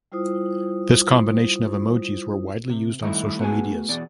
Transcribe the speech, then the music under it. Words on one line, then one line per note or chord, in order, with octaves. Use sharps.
This combination of emojis were widely used on social medias.
G3 E4 F4 C5 D#6
C3
D#3 G3 A3 D#4 E4
A3 B3 E4 F#4 G#4 G#5
E2 B2 D5